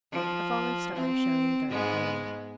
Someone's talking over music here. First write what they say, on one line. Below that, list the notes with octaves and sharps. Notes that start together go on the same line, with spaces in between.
A falling star shone in the dark firmament.
F3
C4
G#2 G#3 B3